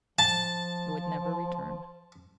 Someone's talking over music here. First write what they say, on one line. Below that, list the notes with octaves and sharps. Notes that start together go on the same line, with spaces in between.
It would never return.
F3 A5